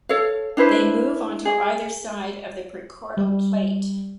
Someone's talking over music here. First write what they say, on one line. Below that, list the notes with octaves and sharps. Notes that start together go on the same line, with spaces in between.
They move onto either side of the prechordal plate.
A4 C#5 F5
D4 E4 B4 C5
G#4
G3